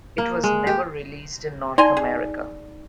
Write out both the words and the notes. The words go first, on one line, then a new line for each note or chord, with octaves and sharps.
It was never released in North America.
A#3
G#3
G4
D#4 D5 G#5 A#5 C6
G#4